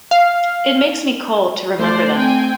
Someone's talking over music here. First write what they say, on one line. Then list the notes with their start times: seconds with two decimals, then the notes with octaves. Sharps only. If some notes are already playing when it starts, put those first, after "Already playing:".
It makes me cold to remember them.
0.11 F5
1.79 A3 C5 D5
2.15 C4 G5 G#5